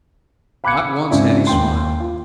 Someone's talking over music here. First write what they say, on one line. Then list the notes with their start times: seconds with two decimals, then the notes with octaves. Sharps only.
Not once had he smiled.
0.64 F5 B5 D6 F#6 G#6 C#7
1.11 G#2 C#3 C4 D4 E4
1.47 D#2 G5 C6
2.00 F4